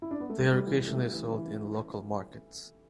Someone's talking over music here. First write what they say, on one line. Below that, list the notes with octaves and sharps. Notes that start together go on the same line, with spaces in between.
They are occasionally sold in local markets.
E4
D4
B3
A3
G3
G3
A3
E3
G3
A3
G3
E3
E3